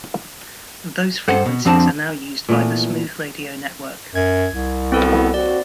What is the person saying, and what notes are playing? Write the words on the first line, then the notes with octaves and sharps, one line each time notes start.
Those frequencies are now used by the Smooth Radio network.
G2 A4 C5 F#5
B2
F2 F3 C4 D4 A5
A#2 E3 A3 B3
F#2 G#6
C2
B2 B3 C4 E4 A4
D#2 C4 F#4 D5